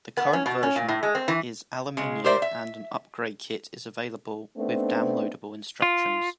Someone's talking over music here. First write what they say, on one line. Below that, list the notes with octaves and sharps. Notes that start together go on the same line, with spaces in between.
The current version is aluminum and an upgrade kit is available, with downloadable instructions.
B3
C#4
B2
C#4
A#2
A2
G#3
C4
E3
C#3 G#3
G4 A#4 C5 D5 E5
E5
A3 B3 C4 D4 D#4
F4